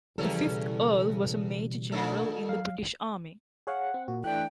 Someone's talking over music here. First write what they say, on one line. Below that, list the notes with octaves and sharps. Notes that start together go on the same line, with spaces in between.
The fifth Earl was a Major-General in the British Army.
E2 C#3 E3 F3 G3 C#4 A4
B2
A#2 D#3 A3 D4 A4
F#3 F5
G#4 C#5 F5 F#5
C4
A#2 F#4
E3 A3 D4 G5 F#6